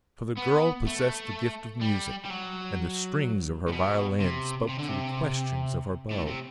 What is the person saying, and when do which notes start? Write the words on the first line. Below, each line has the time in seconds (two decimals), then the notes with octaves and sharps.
For the girl possessed the gift of music, and the strings of her violin spoke to the questions of her bow.
0.38 B3
0.87 A3
1.81 G3
2.25 G3
2.30 F#3
3.68 A2
3.72 B2
4.20 C3
4.69 C3
4.79 D3
4.89 C3
6.11 A2
6.27 C3